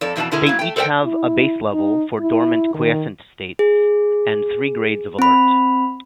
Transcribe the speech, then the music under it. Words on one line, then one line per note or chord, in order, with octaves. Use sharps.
They each have a base level for dormant-quiescent states and three grades of alert.
F2 A4 D5
F2 B2 E3 D4 D5 A5
B2 D3 E4 G#4 A#4 A#5
F#3 A#3 E4
A3 G5
A4 A#4 C5 D5 F#5 G5
E4
D#4
E4
D#3
G#4
C4 B5